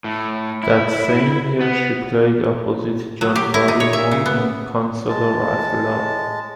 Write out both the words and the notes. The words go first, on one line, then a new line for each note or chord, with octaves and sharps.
That same year she played opposite John Barrymore in "Counsellor at Law".
A2
E4
B3
F#3
G4
E4
D#4
C#5
E5
C#3
B3
G#3 A5